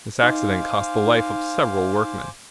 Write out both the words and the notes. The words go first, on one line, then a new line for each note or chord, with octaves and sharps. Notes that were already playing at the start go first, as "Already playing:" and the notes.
This accident cost the life of several workmen.
D#4 C5 F5 G#5 D6